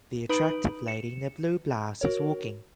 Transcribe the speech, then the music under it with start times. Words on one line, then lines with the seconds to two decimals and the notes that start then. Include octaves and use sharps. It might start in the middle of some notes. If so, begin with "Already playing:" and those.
The attractive lady in the blue blouse is walking.
0.29 D#4 B4 B5 D#6 D7 F#7
0.87 C#7 E7
2.01 F#4 A#4 C#5